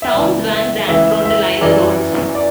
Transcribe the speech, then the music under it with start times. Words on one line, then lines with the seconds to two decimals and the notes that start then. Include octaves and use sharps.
Townes Van Zandt wrote the liner notes.
0.02 E5
0.13 C#2 C#3 E3 D5
0.50 E5
0.88 C#2 C#3 E3 E5
1.25 E5
1.61 F#2 E3 D5
2.35 D5